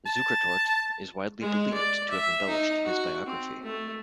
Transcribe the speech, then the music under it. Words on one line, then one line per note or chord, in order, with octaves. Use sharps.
Zukertort is widely believed to have embellished his biography.
A5
G#3
D5
E5
D#4
F#4
C4
A3